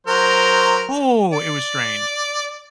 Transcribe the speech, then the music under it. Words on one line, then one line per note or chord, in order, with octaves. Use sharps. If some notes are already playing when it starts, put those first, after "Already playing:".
Ooh, it was strange.
F#3 A#4 C5
D5